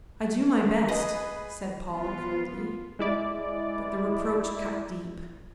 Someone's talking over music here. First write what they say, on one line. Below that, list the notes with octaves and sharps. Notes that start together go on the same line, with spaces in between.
"I do my best," said Paul coldly, but the reproach cut deep.
G#4 B4 D#5
B3 F4
G#3 E4 D5